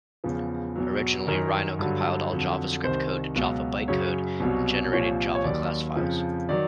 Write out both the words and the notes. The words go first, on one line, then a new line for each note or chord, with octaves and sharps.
Originally, Rhino compiled all JavaScript code to Java bytecode in generated Java class files.
E2 C#3 F3
E2 B2 F#3
F#2 D#3 F#3 A#4
G2 D3 F#3
F2 D3 F#3
C2 C3 D#3 C5
C#2 B2 F#3
F#2 C#3 F#3 C#5
C2 B2 F#3
C2 A#2 F3 C#5
C#5
D#2 D#3 F#3 D5
F2 C#3 F3
D#3 F#3 D5